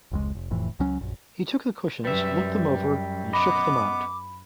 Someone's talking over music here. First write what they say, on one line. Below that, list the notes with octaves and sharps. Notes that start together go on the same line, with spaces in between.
He took the cushions, looked them over and shook them out.
F1 C#2 G#3
F1
F1 F2 A2 E3
C#2 F#3 C#4
A#1 F#2
F#2 G3 B4 E5
B3 D#5 B5 D6